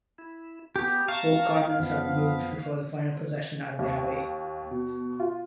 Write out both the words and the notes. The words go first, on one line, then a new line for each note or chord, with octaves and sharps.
Both garments are removed before the final procession out of the abbey.
E4
B3 G4
F5 A5 A#5 C#6
F#2 F3 B3
D#2
B2
F4